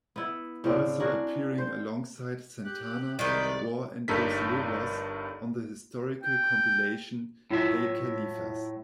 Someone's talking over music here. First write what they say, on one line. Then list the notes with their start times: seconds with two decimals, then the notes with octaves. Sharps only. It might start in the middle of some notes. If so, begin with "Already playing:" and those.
Also appearing alongside Santana, War, and Los Lobos on the historical compilation Ay Califas!
0.16 B3 E4
0.64 A2 C#3 C4 D4
1.00 D4 F#4 G#4 A#4
1.58 C5
2.64 G4 F#6
3.19 C2 D#3 G#3 D#4 B4 D5 B5 G6
4.08 G1 G2 D#4 A4 A#4 B6
6.23 G5
7.51 A2 F#3 E4 F4 E5